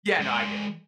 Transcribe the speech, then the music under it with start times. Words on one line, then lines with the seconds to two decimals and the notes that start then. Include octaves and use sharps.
Yeah, no, I get it.
0.21 G#3 D5